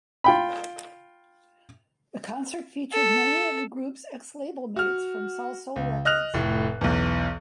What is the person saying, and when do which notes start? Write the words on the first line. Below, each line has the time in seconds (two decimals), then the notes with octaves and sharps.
The concert featured many of the group's ex-label mates from Salsoul records.
0.24 F4 G5 B5
2.93 A4
4.76 F#4 F6
5.76 C#2
6.05 D#5 F6 F#6 F7
6.34 F1 A2
6.81 B1 E2